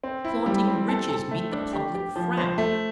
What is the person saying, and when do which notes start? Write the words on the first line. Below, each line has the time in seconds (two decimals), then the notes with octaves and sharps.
Flaunting riches meet the public frown.
0.03 C4
0.25 E4
0.46 G3
0.68 C4
0.89 A4
1.09 A4
1.31 A3
1.52 D4
1.73 G4
1.94 G4
2.16 F3
2.37 C5
2.58 A3